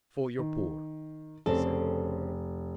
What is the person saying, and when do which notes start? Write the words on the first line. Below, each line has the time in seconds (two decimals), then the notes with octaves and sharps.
"For your poor," he said.
0.39 D#3
1.46 F1 C#3 C4 A4